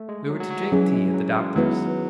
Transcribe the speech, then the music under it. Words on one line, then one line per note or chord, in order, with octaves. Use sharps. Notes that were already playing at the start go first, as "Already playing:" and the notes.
We were to drink tea at the Doctor's.
Already playing: A3
G#3
F#3
F#3
F#3
E3
E3 F#3 C#4 G#4
G#3
F#3
G#3
D#3 F#3 G#3 B3 E4 B4